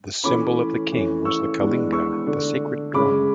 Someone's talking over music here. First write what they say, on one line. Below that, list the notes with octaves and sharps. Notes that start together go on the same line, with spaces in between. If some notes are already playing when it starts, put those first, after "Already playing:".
The symbol of the King was the Kalinga, the sacred drum.
E3 A3 C#4 B5 D6
E3 A3 C#4
C#6 E6
E3 G#3 B3 D4
C#6 E6
D3 A3 D4
C#3 G#3 C#4 B5 D6